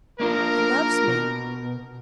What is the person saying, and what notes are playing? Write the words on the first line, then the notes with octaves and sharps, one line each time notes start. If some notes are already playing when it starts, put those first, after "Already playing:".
He loves me!
A#3 D4 F4 A#4
B2